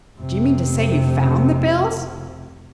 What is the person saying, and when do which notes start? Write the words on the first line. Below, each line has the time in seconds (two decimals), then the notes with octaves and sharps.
"Do you mean to say you found the bills?"
0.19 F1 C3